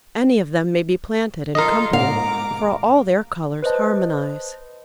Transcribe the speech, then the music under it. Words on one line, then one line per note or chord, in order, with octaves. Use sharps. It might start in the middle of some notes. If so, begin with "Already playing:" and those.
Any of them may be planted in company, for all their colours harmonise.
D#4 F4 A4 A#4 D#5
G#2 F5 A#5 D6
B4 C5 D#5 A5